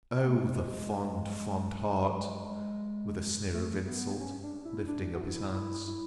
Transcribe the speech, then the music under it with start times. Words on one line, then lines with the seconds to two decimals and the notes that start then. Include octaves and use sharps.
O the fond, fond heart! with a sneer of insult, lifting up his hands.
0.20 B3
0.27 A3
0.35 G#3
0.42 A3
0.53 G#3
2.11 F#3
2.20 G#3
3.54 A3
3.87 B3
4.20 C#4
4.43 D4
4.65 E4
4.87 D4
5.14 F#4
5.21 E4
5.53 E4
5.88 E4